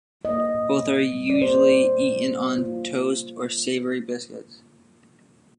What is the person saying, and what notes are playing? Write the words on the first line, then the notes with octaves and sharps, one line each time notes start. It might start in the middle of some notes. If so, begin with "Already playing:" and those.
Both are also usually eaten on toast or savoury biscuits.
A#3 D#5
A#2
A#2
G3
D5
A#3 C5
A#2
A#2
G3
A#3 F4